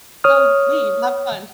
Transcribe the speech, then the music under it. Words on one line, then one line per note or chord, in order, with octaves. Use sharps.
go, leave, have fun."
C#5 D#6 F6